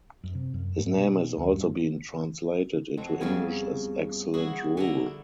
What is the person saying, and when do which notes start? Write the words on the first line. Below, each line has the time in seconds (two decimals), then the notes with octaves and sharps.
His name has also been translated into English as Excellent Rule.
0.24 F#2
0.35 C3
0.54 F#2
0.78 G#2
0.98 B2
1.38 D#2
1.52 G2
2.97 F2 F#3 C5
3.20 F2 C#3 F3 G3 B3 G#5
4.34 E4 F#4 G#4
4.77 D3 E4 A#5